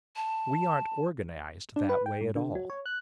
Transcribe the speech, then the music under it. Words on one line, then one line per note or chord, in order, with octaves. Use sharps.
We aren't organized that way at all.
A5
D4
B4
G5
G#2
D3
F#3
C#5
F#6